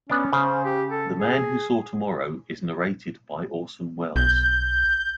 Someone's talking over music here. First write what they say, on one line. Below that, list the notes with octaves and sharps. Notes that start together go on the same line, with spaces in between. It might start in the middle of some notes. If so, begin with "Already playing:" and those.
"The Man Who Saw Tomorrow" is narrated by Orson Welles.
B3 C#4 D4
C#3 C5
G4
A4
G#4
B1 G6